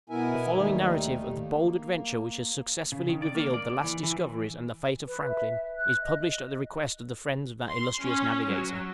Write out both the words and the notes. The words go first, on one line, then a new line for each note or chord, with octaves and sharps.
The following narrative of the bold adventure which has successfully revealed the last discoveries and the fate of Franklin, is published at the request of the friends of that illustrious navigator.
B2 B3 E4 A#4 E5 G#5
D#2 D#3 G3 A3 D#4
A#3
C#3
D#3
D5
A#3
D5
E3
E3
B4
E5
F#6
D#5
C6
C#4
F#3